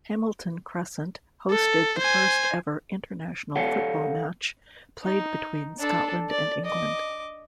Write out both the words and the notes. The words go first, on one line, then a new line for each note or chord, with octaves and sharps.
Hamilton Crescent hosted the first ever international football match, played between Scotland and England.
A4
C5 G#5
A4 C#5 F5 F#5
D#4
D4 A4
D5
D#5 D6